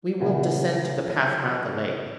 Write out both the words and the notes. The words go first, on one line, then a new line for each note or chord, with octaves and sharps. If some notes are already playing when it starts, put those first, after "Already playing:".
"We will descend to the path round the lake."
A#2 C#3 E3 F#3